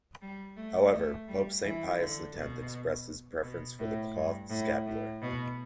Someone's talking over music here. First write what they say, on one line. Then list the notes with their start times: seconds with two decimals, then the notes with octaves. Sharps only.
However, Pope Saint Pius the Tenth expressed his preference for the cloth scapular.
0.21 G3
0.56 A3
0.92 A3
1.28 G3
1.63 E3
2.00 D3
2.35 B2
3.43 B2
3.79 A2
4.15 G2
4.49 A2
4.86 A2
5.22 B2